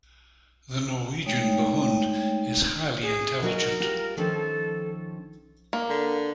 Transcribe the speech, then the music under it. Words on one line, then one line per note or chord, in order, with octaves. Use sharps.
The Norwegian Buhund is highly intelligent.
G#3 A3 D#4 C#5 G5
G#4
F#3 D#4 F#4 A#4
G3 F4
D#3 F3 C#4 A4
A#3
D3